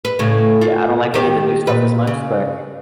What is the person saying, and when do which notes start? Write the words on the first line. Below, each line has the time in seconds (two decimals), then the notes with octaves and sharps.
Yeah, I don't like any of the new stuff as much, but,
0.05 B4
0.19 A2 C#3
0.61 F4
1.14 D#3 G4
1.67 A#2 B4
2.07 C#3